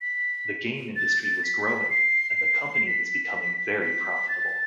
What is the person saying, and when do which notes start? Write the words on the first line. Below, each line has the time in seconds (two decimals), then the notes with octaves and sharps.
The game industry was growing, and the company was becoming very profitable.
0.01 B6
0.96 A6
1.43 B6
1.90 C7
2.38 C7
2.86 B6
3.81 B6
4.28 A6